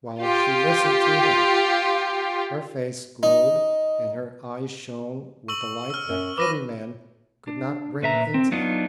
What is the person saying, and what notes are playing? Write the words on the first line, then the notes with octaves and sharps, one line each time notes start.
While she listened to him, her face glowed and her eyes shone with a light that every man could not bring into them.
F4 G4
D#4
C#6 E6 F#7
E6 F6
F#2
B4 D6 A#6 D#7
D4
A#2 B4 E5 A#5
C4
F#3 B3 D4 D#4 F4